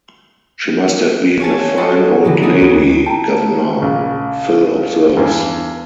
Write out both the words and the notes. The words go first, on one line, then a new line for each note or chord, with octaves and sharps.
"She must have been a fine old lady, guv'nor," Phil observes.
C#5 G#5 A5
F4 F#4 G#4 A4
D3 E3 F#3 D#4
D4 D#4 G#4 A4 B4
D2
G5 A5 A#5
A#1 C#3
E2 G2